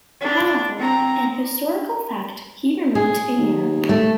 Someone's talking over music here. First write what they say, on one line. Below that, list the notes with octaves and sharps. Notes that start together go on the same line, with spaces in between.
However, in historical fact he remained in Europe.
D4
C4 A#5
G#4
D#2
A3